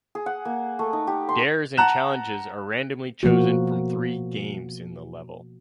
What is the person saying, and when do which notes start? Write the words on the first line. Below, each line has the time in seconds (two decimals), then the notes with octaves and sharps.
Dares and challenges are randomly chosen from three games in the level.
0.15 G#4
0.26 F#5
0.45 A#3
0.79 A3
0.93 D#4
1.07 G4
1.29 C6
1.77 F#5 A5 A#5 F#6 E7
3.23 B2 F3 A#3 F#4